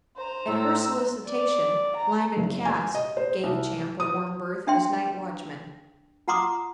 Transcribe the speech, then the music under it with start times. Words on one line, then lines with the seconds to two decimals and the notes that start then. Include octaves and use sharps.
At her solicitation Lyman Cass gave Champ a warm berth as night watchman.
0.17 C5 A#5
0.48 A2 E6
1.27 D5
1.97 A#5
2.36 F#1
2.65 G#5
2.95 D#5
3.17 C5
3.44 C2
4.00 D#6
4.67 D4 E5 G5 C6
6.28 F4 F#5 A#5 C6 D6 D#6